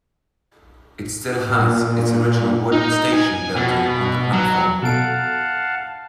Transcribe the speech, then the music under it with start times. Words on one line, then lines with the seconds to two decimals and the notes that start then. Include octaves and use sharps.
It still has its original wooden station building on the platform.
1.49 A#2
2.72 D#4
3.13 G#5
3.56 B2
4.33 F#3
4.82 B2 A4 F5 F#5 A5 D7